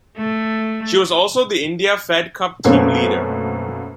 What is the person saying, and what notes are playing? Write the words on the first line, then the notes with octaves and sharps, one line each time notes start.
She was also the India Fed Cup Team leader.
A3
F#2 B2 A3 A#3 C4 C#4